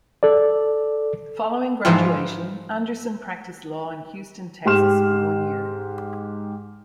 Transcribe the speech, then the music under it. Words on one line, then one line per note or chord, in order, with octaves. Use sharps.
Following graduation, Anderson practiced law in Houston, Texas for one year.
A4 D5
G#2 E3 F3
G#2 G4 G5 C6 F6 E7